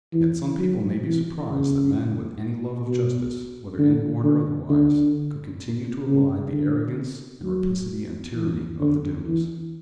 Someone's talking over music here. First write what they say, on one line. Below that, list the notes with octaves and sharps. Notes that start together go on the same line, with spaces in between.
Yet some people may be surprised that men with any love of justice, whether inborn or otherwise, could continue to abide the arrogance, and rapacity, and tyranny of the Doones.
E3
F#3
E3
C#3
B2
D3
D3
D3
C#3
D3
F#3
E3
D3
E3